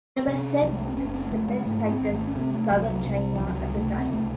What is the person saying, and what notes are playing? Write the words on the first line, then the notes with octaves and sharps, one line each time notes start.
They were said to be the best fighters in southern China at the time.
C4
C3 C#4
C2 F#3
G#3
A3
C4
F#1 C#4
C#4
C4
C#3 A3
G#3
G#2 A3
C4
G#1
A3
C#4
C3 C4
A3
C2 F#3
F#3
C3
E3
C#2 F#3
C3 A3
C4
C#2 A3